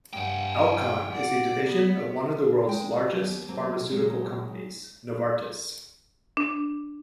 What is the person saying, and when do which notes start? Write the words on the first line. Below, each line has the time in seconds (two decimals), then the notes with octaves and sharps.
Alcon is a division of one of the world's largest pharmaceutical companies, Novartis.
0.13 G2 F#5 G5
1.13 D5
1.67 B3
2.67 G#3 G5
3.17 D#2 B3 G4
3.48 B2 F#3 A#3 C4
3.90 A#2 F#3 G#3
6.37 D4